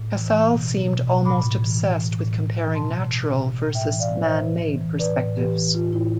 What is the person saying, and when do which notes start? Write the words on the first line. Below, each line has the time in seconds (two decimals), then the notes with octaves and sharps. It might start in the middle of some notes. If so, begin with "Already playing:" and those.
Casal seemed almost obsessed with comparing natural versus "man-made" perspectives.
Already playing: A2
0.13 E3
0.31 E3
0.50 B2
0.69 B2
0.88 B2
1.07 B2
1.25 A2 B5 D6
1.44 A2
1.62 E3
1.81 E3
2.00 A2
2.19 A2
2.37 E3
2.56 E3
2.75 B2 A5 C6
2.94 B2
3.13 B2
3.31 B2
3.49 A2
3.68 A2
3.75 E5 G5
3.87 E3
4.00 D5 F5
4.06 E3
4.24 A2 C5 E5
4.44 A2
4.62 E3
4.81 E3
4.99 A2 B4 D5
5.19 A2
5.37 E3 G4 B4
5.56 E3
5.75 A2 F4
5.93 A2 E4